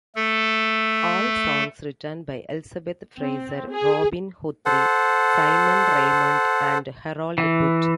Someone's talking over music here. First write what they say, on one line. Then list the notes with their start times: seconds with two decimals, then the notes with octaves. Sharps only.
All songs written by Elizabeth Fraser, Robin Guthrie, Simon Raymonde and Harold Budd.
0.16 A3 A4
3.19 C4
3.71 G#4
4.66 A4 C5 F#5
7.38 E3